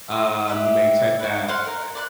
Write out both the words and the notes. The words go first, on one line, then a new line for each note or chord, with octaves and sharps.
um, you may check that, uh,
F4 D#5
G4 B4 E5
F#4 B4
C5 F5 F#5 C6
A#4
D5 C6 F#6